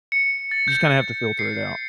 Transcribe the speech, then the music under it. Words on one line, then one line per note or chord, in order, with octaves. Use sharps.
you just kinda have to filter it out.
C#7
A6
G6
C7